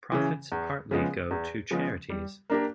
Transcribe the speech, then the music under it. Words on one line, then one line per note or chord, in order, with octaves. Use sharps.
Profits partly go to charities.
C#3 E3
E2
C#3 F3 G#3 B3
E2
C#3 F3 G#3 B3
G3
A#3 D4 G4 A#4